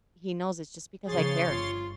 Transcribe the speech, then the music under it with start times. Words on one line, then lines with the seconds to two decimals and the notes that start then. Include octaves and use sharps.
he knows it's just because I care.
1.07 C#3 F3 G#4 C#5 C6 A6
1.49 G1 F4